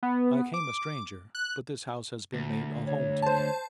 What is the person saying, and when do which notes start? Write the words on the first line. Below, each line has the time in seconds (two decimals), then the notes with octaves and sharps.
"I came a stranger, but this house has been made a home to me."
0.03 B3
0.54 D6
1.35 F#6
2.34 D2
2.87 C#5
3.22 C5 A5